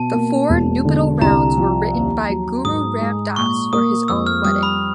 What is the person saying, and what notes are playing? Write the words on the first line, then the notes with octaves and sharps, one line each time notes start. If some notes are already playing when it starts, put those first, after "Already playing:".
The four nuptial rounds were written by Guru Ram Das for his own wedding.
Already playing: B2 A5
A#3
E1
D3
C2 A#5
F3
D#2
F#3
G#2 D#6
G#3
A#2 C#6
A#3 D#6
F2 E6
F6
G3 D#6
B5